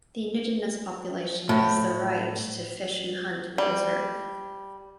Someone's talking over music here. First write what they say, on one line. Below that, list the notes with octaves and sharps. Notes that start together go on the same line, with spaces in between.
The indigenous population has the right to fish and hunt in the reserve.
A2
G3